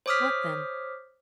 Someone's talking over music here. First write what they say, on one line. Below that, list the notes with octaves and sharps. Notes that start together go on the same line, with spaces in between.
"What then?"
C5 C#5 D6 D#6 F6 B6